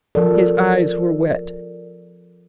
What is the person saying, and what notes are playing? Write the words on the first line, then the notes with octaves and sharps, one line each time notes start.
His eyes were wet.
F3 A4 A#4 D5